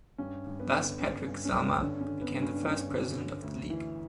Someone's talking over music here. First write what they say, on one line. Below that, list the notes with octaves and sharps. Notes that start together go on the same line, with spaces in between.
Thus, Patrick Celma became the first president of the league.
G2 C#4
G2
B3
D3
D3 C#4
G2 C#4
C#4
G2 D4
D3 C#4
C#4
D3
B3
G2
C#4
D4
G2 C#4
D3
D3
D2
E3